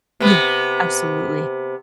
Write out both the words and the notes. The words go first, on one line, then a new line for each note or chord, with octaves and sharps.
Yeah. Absolutely.
C3 B3